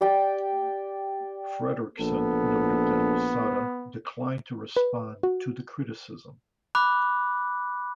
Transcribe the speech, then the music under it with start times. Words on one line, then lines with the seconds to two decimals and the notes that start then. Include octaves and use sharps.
Fredrickson noted that Losada declined to respond to the criticism.
0.01 G4 D5 G5
1.99 A#1 B3 A4
4.76 B4
5.23 F#4
6.75 B5 D6 F#6